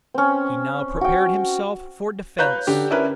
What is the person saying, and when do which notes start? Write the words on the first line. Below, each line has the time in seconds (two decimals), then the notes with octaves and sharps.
He now prepared himself for defence.
0.14 C4 C#4
1.01 F#4 G5
2.38 B4 C#5 F5 A#5 F#6 G6
2.67 D3 G4
2.91 C#4 D4 E4 A#4 B4